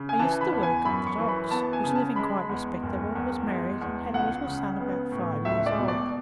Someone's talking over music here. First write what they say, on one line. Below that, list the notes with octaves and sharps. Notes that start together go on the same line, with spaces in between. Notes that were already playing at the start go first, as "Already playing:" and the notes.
I used to work at the docks, was living quite respectable, was married and had a little son about five years old.
Already playing: C#3
G#5
E3 A5
B5
E2
G#5
F#2 B5
C#6
E3
B5
B3 A5
G#5
C#3
A5
G#3 B5
E2
F#1
E2
G#3
E2
C#2 F#5
C#3
B3
A2
C#2 E5
D5
B2
D5